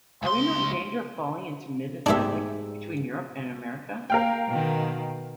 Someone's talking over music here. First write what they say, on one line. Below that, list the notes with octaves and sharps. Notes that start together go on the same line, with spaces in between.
Are we not in danger of falling into mid-Atlantic between Europe and America?
C#2 C6
G#2 A3 D4 G4 E5
A#3 A#4 F5 G5
B2 D#3